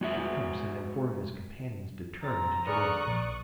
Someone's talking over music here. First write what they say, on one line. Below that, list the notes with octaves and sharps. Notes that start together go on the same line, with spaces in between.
Kit Carson and four of his companions determined to join him.
G#3 F#4 E5
C4 A#5 A6
D3 G#4 B4 D5 C#6 D#6 F6 F#6
A#1 D5